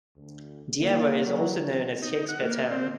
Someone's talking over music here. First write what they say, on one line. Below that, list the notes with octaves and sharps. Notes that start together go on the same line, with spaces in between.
Diever is also known as "Shakespeare-town".
D2
A#3
F#3
D#4
F#5
A#3
C4